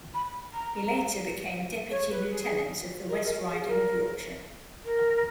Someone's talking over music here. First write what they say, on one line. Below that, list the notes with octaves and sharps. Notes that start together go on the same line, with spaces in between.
He later became deputy-lieutenant of the West Riding of Yorkshire.
B5
A#5
C#5
B4
G#4
A#4
A#4
G#4
A#4
A#4